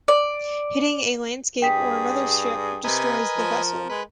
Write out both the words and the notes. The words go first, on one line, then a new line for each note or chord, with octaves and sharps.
Hitting a landscape or another ship destroys the vessel.
D5
G2 G#4 G5 B6
C3 A#4 B4 D#5 G#5
F3
G#3 B4